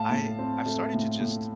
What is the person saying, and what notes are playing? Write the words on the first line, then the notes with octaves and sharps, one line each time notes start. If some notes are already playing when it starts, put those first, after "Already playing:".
I I've started to just
Already playing: A2 F5 A5
A2
C4
A3
A2
A2